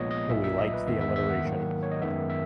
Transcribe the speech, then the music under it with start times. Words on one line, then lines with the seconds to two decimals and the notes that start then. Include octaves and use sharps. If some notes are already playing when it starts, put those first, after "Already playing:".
We liked the alliteration.
Already playing: A#1 A#2 G#3 B3 C#5 D#5
0.11 D#5
0.30 B1 A#2 A#3 E5
0.44 E5
0.58 D#5
0.73 B4
0.87 E2 D#3 G#3 B3 E5
1.01 E5
1.16 E5
1.30 F#5
1.45 G#2 D#3 F#3 A#3
1.83 C#5
1.91 D#5
2.01 F#2 D#3 G#3 B3 E5
2.30 E5